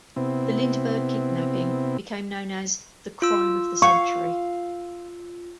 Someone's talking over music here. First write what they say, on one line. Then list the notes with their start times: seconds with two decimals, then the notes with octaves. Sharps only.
The Lindbergh kidnapping became known as "The Crime of the Century".
0.16 C3 B3 C4 E4
3.22 F4 E6
3.82 F5 C#6